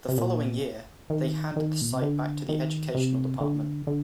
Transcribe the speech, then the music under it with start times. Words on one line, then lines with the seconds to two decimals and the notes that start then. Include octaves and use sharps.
The following year, they handed the site back to the Education Department.
0.09 C3
0.18 A#2
1.10 D#3
1.56 D#3
1.81 A#2
1.92 C3
2.02 D3
2.49 D#3
2.95 C3
3.41 D3
3.87 D3